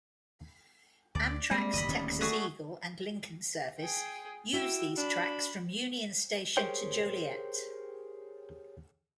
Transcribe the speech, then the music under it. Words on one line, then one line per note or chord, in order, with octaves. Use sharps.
Amtrak's "Texas Eagle" and "Lincoln Service" use these tracks from Union Station to Joliet.
D2 D5
G3 G#3 A#3 C4
F#1 D#2 D#5 B5
D1 D#2 C#4
A3 F#4 G#4
G#4 G5
E4 F#4 G5 E6
D4 B5
G4 G#4 A#4 C5 C#5 G5